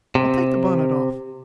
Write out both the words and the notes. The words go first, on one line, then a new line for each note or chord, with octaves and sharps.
"I'll take the bonnet off."
C3